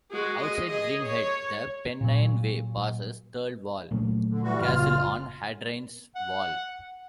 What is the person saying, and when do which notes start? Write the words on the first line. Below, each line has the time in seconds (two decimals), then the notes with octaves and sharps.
Outside Greenhead the Pennine Way passes Thirlwall Castle on Hadrian's Wall.
0.11 G#3 F#4
0.41 D#5
0.70 G#4 D#5
1.03 C#5
2.01 A#2 F#3
3.91 A#2 F#3 A3
4.29 D3
4.43 E3 G3 F#4
4.61 F#1 A#2 C#3 F4 F6
6.15 F#5